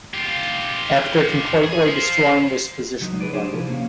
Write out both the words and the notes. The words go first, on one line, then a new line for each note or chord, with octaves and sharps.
After completely destroying this position, Pvt.
F4 G4
G#4
C5 F5
C#2 F#3 D#4
D#4 G#4 B4 D5
D4 G4 G#4 C5
C3 E3 F3
A#3 C#4 F5